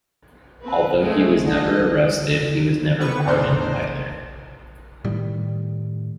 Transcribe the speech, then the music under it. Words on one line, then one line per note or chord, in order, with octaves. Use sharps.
Although he was never arrested, he was never pardoned either.
C4 B4
G#3 A3
D3 D#5
C3 B3 B4 C#6
E2 A2 D4 D#4 C5
A2 D#3 G3